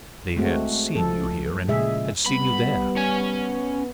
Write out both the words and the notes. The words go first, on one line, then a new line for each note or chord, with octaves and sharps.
They had seen you here and had seen you there.
G#3 A3 C4 F#4
F3 A4
A#2 C#3 G#3 G#4 E5
G3 B3 B5
C#4 G#5